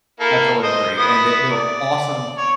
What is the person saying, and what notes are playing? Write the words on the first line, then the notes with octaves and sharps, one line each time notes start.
I totally agree and they they were awesome,
A#3 E4 A4
C5 D#5
B3 E4 D#6
D5
C#5